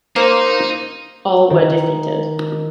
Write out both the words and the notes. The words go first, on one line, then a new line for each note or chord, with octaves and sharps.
All were defeated.
A#3 D#4 C5
D#3